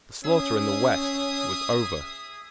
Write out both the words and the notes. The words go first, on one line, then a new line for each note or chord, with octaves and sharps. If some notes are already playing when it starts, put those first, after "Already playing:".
The slaughter in the West was over.
C#4 G#4 E5 D#6